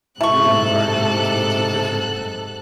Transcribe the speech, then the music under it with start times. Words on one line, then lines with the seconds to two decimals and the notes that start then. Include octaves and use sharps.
Your remark indicates a different opinion....
0.21 G#2 C3 E4 A4 A5 C#6 F#6